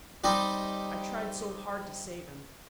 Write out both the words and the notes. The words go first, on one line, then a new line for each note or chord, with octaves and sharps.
"I tried so hard to save him."
G3 C4 D#4 G4 D5